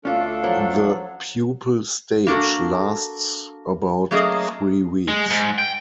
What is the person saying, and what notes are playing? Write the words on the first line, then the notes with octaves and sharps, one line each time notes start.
The pupal stage lasts about three weeks.
D2 C#4 D4 F4 A4 F5
F3 F#3
A#3 D4 F#4 A4
F#3 A3 A#3 C#4 G#4 D#5
G#3
G#2
G5